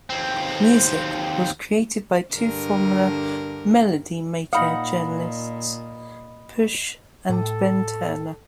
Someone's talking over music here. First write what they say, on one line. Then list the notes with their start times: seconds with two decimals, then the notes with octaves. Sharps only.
"Muzik" was created by two former "Melody Maker" journalists, Push and Ben Turner.
0.10 D#2 C4
2.33 G2 D3 A#4
4.53 A#2 D#4 D#5 F5 F#5 B5 D#6
7.29 A2 A4 G5 D6